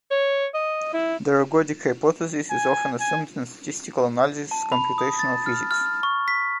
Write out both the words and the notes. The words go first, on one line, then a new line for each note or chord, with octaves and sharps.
The ergodic hypothesis is often assumed in the statistical analysis of computational physics.
C#5
D#5
E4
G#5
G#5
A5
B5
D#6
A6
F6
F6
C#6
B6